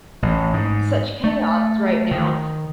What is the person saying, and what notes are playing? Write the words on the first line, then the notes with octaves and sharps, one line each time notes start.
such chaos right now.
A1
G#2
A3
D#3